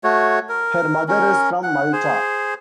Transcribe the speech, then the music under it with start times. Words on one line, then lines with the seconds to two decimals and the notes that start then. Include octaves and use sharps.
Her mother is from Malta.
0.04 A3 F#4 C#5
0.49 A#4
1.08 C#4 A#4
1.63 F#5
1.93 G#4 C5